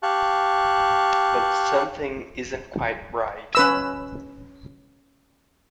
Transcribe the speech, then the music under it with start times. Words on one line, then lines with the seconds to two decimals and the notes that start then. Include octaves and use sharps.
But something isn't quite right.
0.03 G4 F5 A5 C#6 F#6
3.55 C#4 B4 E6